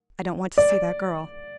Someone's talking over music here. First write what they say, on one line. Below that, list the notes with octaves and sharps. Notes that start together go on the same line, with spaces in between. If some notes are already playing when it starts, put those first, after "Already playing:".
I don't want to see that girl.
D5